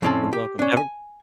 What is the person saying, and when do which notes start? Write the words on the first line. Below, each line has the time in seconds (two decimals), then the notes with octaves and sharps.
You're welcome, have a
0.02 F2 A2 C4 C#4 D5 A5
0.33 G4
0.59 C#4 D4
0.77 G#5